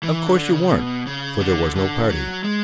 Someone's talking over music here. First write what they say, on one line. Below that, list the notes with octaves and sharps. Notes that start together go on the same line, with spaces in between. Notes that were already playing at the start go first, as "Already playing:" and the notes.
Of course you weren't, for there was no party.
E3
D3
C#3
B2
C#3
D3
D3
F#3
G#3